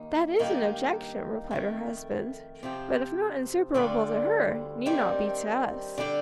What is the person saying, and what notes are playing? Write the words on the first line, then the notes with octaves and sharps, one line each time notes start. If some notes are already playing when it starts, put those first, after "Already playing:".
"That is an objection," replied her husband, "but if not insuperable to her, need not be to us."
Already playing: D#2 A#3 D#4
G2 D#3 A#3 D#4 G4
F2 D#3 A3
C3 F3 C4 G4
D2 D3 G3 D4 F4
G2 D#3 G3 C4 G4
D3 G3 D4 G4